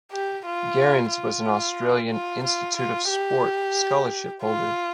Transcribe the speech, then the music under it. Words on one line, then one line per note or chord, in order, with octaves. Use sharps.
Gerrans was an Australian Institute of Sport scholarship holder.
G4
F4
F4
F4
F4
F4
G4
F4